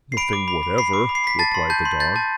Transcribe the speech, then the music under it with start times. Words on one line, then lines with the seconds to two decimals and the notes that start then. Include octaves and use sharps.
"Nothing whatever," replied the dog.
0.12 C7
0.17 B5 D7
0.33 D6
0.48 B5
0.63 B5
0.78 B5 C7
0.93 D6
1.09 B5
1.15 C7
1.24 B5 B6
1.39 A5 A6
1.54 C6
1.70 A5 G6
1.85 C6
2.00 G6 A6
2.16 A5